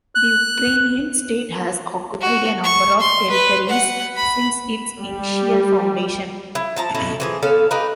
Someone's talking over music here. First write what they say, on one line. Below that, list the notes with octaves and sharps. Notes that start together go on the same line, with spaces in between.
The Ukrainian state has occupied a number of territories since its initial foundation.
F#6
F#4
C#6
C6
B4
F#5
B5
G3
E4
F3 A5 A#5
B2 C#4 E4 A4
E3 F3 G#4
B3 C#4 A4 F5
D#4 G4 A#4 B4